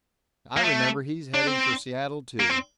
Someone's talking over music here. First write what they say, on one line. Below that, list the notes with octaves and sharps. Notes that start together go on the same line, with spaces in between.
I remember; he's headed for Seattle, too.
A#3
A3
D4
C4
A#3
C4